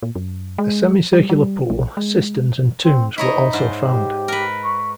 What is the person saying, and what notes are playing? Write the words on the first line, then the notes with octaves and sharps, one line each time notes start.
A semi-circular pool, cisterns and tombs were also found.
A#2
F#2
G#3
G3
G3
A#1
G#3
C4
D#4 E4 C#5 D#5
G#2 C5
G4
A#4 B4
C#6